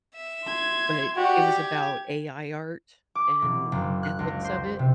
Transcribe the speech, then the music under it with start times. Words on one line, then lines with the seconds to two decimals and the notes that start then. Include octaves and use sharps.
but it was about AI art and ethics of it.
0.15 E5
0.44 C6 G#6
1.16 F#4 G4 D5 F#5
1.57 G5 G#6
3.15 D6
3.42 E1
3.72 F#1
4.03 F#6
4.19 C#2
4.44 C5
4.79 C3